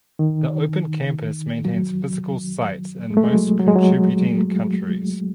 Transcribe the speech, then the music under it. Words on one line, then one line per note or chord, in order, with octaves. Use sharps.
The Open Campus maintains physical sites in most contributing countries.
D#3
F#3
G#3
A3
G#3
F#3
F#3
G#3
F#3